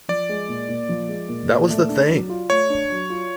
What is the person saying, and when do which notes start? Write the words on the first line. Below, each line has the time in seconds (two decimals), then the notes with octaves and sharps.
That was the thing.
0.08 F3 D5
0.29 G#3
0.48 A#2
0.69 A#2
0.89 F3
1.09 G#3
1.29 A#2
1.49 A#2
1.70 A3
1.89 D4
2.09 F#3
2.29 F4
2.50 A3 C#5
2.70 D4
2.90 F#3
3.10 F4